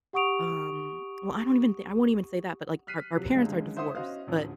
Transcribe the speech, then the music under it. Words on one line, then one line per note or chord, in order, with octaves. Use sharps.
um, well, I don't even think I won't even say that, but, like, our our parents are divorced, but,
G4 F#5 C#6 D#6 D7 F7
F6 F#6 B6 C7 D#7
C3 F3 F#3
C#2 F#2 D3 G#3
E4 C5 E5 F#5 C6 D#6
C#4 F#4 C5 D#5 F5
A1 D2 F3